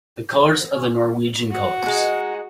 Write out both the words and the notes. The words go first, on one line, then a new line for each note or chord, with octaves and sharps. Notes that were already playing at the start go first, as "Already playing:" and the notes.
The colours are the Norwegian colours.
F#4
G#3 D#4